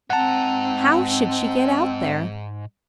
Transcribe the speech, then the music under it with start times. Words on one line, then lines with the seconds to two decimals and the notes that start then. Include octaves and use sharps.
How should she get out there?
0.10 G#2 C4 F#5 A5 A#5